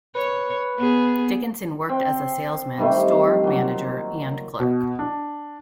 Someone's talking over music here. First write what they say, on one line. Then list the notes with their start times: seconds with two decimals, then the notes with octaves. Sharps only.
Dickinson worked as a salesman, store manager, and clerk.
0.15 B4 C#5
0.78 B3 G#4
1.89 C4 G5
2.78 G2 D#3 A3 C4
3.44 A#2 F#3
4.60 B2
4.99 D4